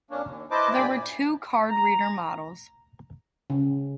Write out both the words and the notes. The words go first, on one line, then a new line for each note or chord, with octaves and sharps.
There were two card reader models.
F2 A#3 C#4 D4
D#2
E4 B4 C5 D#5 A5 D6
G2 A#2 D5 G5 G#5 B5
A#5
C#3